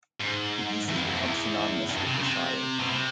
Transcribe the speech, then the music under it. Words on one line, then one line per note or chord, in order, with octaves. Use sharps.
The piece has become synonymous with the Shire theme.
G#2
E2
F2
F#2
F2
E2
F2
F#2
G2
C3
C#3
C3
B2
C3